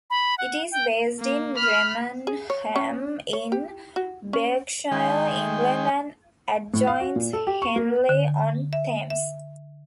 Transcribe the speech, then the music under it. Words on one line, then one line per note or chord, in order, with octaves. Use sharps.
It is based in Remenham in Berkshire, England and adjoins Henley-on-Thames.
B5
F#5
G5
A#3
B5 F6
G#4
C#5
C#4
C#5
G4
F#4
C#4
D#3 G#3 G5
A2
F5
F#4
A#2
A4
G4
C#6
A#3
D3
E5
E5